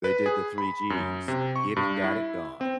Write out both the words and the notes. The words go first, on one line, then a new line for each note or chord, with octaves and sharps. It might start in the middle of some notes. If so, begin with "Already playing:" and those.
They did the three g's. Get it. Got it. Gone.
B4
G#4
B5
F#2
C3
C#6
G2
E4
C4